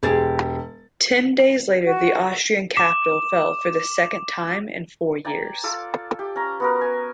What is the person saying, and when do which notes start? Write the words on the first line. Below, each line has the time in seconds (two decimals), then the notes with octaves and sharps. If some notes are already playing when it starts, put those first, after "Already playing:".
Ten days later, the Austrian capital fell for the second time in four years.
0.03 E1 G4 G#4 C5 A6
1.85 F#4
2.76 D6 E7
5.25 D5 G5 G#5 A#5
5.64 F4 A4 D6
6.19 G4
6.36 C#4 A#5
6.60 B3 F#4 A#4
6.81 G#5